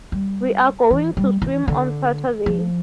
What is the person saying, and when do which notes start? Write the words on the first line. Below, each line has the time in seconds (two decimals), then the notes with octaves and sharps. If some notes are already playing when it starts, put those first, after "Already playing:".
We are going to swim on Saturday.
0.12 G3
0.90 E3
1.17 G3
1.42 E3
1.68 D3
2.46 F3